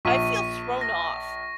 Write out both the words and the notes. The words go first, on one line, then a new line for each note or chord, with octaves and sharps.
I feel thrown off.
A#1 C#6 B6 D#7
A#6